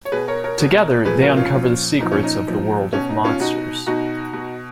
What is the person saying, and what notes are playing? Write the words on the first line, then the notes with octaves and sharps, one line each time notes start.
Together, they uncover the secrets of the world of monsters.
C#5
B2 G#4 B4
A#4 C#5
A#4 C#5
B2
A#2 F3 G#4 B4
F#4 A#4
C#4 F4
A#2 F3
A#2 F3 D#4
C#4
D#4
A#2 F3
B2 C#4
D#4
C#4 F4
B2 D#4 F#4
B2 D#4 F#4
B2